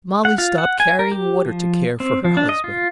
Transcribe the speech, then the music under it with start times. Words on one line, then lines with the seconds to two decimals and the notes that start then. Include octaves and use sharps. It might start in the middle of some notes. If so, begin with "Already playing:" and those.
Molly stopped carrying water to care for her husband.
0.25 F#5
0.38 F4
0.58 F#5
0.80 G#5
0.99 A#4
1.12 G4
1.46 F3
2.00 C4
2.25 F3
2.37 D4
2.49 D#5
2.64 F4